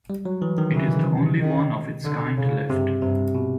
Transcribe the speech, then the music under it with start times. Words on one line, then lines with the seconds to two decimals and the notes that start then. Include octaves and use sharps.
It is the only one of its kind left.
0.10 G3
0.25 F#3
0.42 E3
0.58 D#3
0.74 C#3 E3
0.96 C#3
1.18 C3
1.39 D#3
2.04 D3
2.37 C#3
2.69 G2 C3
3.02 G2 C3
3.35 B2